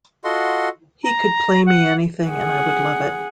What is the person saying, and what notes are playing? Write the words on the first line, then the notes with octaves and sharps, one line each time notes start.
He could play me anything, and I would love it.
F4 F#4 A4 D#5 F#5 C6
A#5
F#5
G#4 F#5